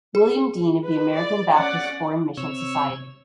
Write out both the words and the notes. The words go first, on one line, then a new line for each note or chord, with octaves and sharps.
William Dean of the American Baptist Foreign Mission Society.
G#4
B4
D5
C#4 D5 F#5
C3 C#5 E6